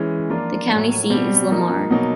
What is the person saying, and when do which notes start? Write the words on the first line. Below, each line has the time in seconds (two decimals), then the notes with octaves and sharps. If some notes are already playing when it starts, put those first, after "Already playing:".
The county seat is Lamar.
Already playing: E3 G#3 C#4
0.30 F3 A#3 D4 F4
0.70 A2 F#3 A#3
1.10 B2 G3 C4
1.50 F3 A#3 D#4
1.90 B2 F#3 A#3 D#4